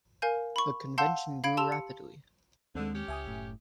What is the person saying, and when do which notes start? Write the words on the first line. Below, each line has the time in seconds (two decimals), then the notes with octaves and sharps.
The convention grew rapidly.
0.22 A#4 F5 G#5 G6
0.56 B5 C#6
0.98 F5 F#5 A5 C6 E6 G6
1.44 F5 B5 G#6 D7
1.57 G4 A5 C6 E6 E7 F7
1.72 C#7
2.75 D#2 D3 G#3 C4
2.95 C#4 G4
3.08 C#2 E5 G#5 D#6
3.26 F#1 A2